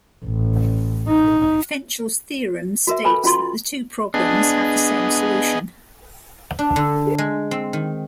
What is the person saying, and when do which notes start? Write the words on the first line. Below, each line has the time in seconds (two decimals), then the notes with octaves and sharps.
Fenchel's theorem states that the two problems have the same solution.
0.25 A1
1.09 D#4
2.87 F#4 A#4 E5
3.04 A4 B4 G#5 B5
3.24 C#4 F4 F#4 C6
4.14 B3 D4 G#4 D#5
6.59 D4
6.76 D3
7.18 G#3
7.51 C4
7.73 D#3